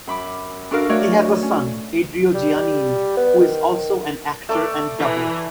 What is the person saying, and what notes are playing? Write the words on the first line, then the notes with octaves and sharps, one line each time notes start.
He has a son, Adriano Giannini, who is also an actor and dubber.
F#2 B5 D6
D4 F#4 A4 A#4 F5
A3 F#4 C#5 D5
C#4
G3
B3
D#3
A3 D5 D6
E3